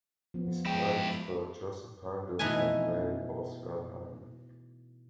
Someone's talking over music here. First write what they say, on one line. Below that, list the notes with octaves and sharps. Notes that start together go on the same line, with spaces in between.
His parents were Joseph Herndon and Mary Boswell Herndon.
F3 B3
G#3 E4 G5
B2 E3 A3 D#4 B4 G#5